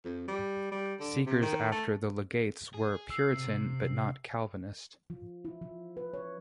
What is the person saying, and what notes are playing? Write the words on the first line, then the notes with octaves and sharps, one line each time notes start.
Seekers after the Legates were Puritan but not Calvinist.
F2
G3
G3
D3
C3
D#3
A3
G#4
E6 C7
C3
F3
E4
F3
B4
C#5